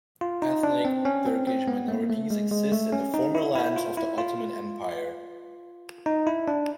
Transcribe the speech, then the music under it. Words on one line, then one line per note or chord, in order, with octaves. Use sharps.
Ethnic Turkish minorities exist in the former lands of the Ottoman Empire.
F4
D#4
D4
C4
C#4
C4
C4
B3
A#3
A3
G#3
G#3
A3
C#4
D#4
E4
E4
F4
E4
F4
D#4
E4
D4